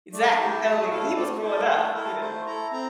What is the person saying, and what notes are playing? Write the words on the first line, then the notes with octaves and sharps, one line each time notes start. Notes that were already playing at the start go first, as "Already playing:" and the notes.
Zack and Cody," when he was growing up, you know?
A3 D5
F5
E4 G4 A5
A5
A3 A5
E4 A4 F5
A3 D5
E4 A4 C5
A#4
A3 A4
E4 A4 A#4
A3 C5
E4 A4 A#5
C4 A#5